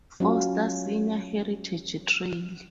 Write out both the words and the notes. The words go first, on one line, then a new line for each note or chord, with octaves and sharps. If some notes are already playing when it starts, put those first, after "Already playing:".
Foster Senior Heritage Trail.
F#3 C#4 F4